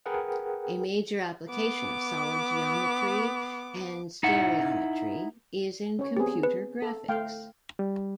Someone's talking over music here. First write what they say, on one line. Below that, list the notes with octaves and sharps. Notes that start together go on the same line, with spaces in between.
A major application of solid geometry and stereometry is in computer graphics.
G#4 A#4 B4 F#5 G5
B3 D6
D#4 E4 F#5
C#4 C#5
B3 C4 G4 G#4
B4
A4
A3 F5 G5
G3